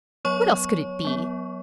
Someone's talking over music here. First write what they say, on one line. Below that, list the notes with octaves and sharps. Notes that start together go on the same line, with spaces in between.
What else could it be?
F#3 B3 C#5 C#6
F#3 B3